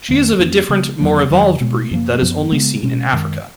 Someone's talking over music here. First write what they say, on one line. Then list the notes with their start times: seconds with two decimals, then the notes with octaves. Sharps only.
She is of a different, more evolved breed that is only seen in Africa.
0.08 F2 D#3 A#3
0.39 F2 F3 A#3 C#4
0.69 C#3 F3 G#3 B3
1.00 F2 D#3 F#3 A#3
1.30 F2 D#3 F#3
1.61 B2 G#3 B3
1.91 F#2 F3 A#3
2.22 F#2 F3 B3
2.52 C#3 G#3 B3
2.83 B2 G#3 C#4
3.13 F#2 D#3 G#3